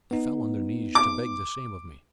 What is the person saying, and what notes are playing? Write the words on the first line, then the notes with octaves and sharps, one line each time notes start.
They fell on their knees to beg the same of me.
B3 D#4
D6